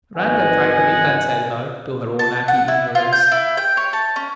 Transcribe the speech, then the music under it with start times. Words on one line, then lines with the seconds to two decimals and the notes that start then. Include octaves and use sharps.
Randal tried to reconcile her to her own happy ignorance.
0.17 G#1 B4 D#5 F#5 G#5
2.19 A5
2.48 F#5
2.68 E4
2.95 F4
3.13 G6
3.32 E4
3.57 G5
3.77 C#5
3.93 A5
4.16 C#4